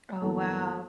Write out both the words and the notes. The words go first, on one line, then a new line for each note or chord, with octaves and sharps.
Oh, wow.
G1 G2 E3 G3 A#3 A4